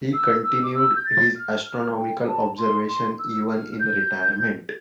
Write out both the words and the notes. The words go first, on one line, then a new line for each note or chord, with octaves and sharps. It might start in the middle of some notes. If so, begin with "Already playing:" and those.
He continued his astronomical observations even in retirement.
E6
E6
D6
E6
G6
A6
F6
F6
G5
A5
C6
C6
E6
F6
G6